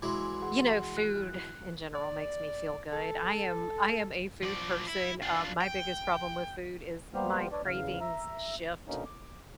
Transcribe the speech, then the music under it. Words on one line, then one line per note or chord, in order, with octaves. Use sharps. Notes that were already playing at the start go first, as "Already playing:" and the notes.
You know, food in general makes me feel good. I am I am a food person, um, my biggest problem with food is my cravings shift
E3 F#3 G#3 C6 D6
G#4 F#5 C6
F#6
D5
A4
F3 D5
E4
D4 F4
G5
G3 A#3 B3 G4 C5 F6
D4 B4 C#5 D5
E2 C#3 F5 F6
E5 A#5
B2 D3 A#3 C#4 D#4
D6